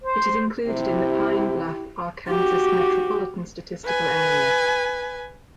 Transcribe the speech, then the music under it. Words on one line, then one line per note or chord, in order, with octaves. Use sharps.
It is included in the Pine Bluff, Arkansas Metropolitan Statistical Area.
C5
C3 E4 G4
F#4 G4
B4 G#5